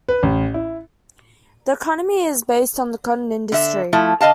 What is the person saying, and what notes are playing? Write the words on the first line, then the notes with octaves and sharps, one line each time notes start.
The economy is based on the cotton industry.
B4
A1
E4
D3 E5
F3 A3 E4
D3 D#5 F5 A5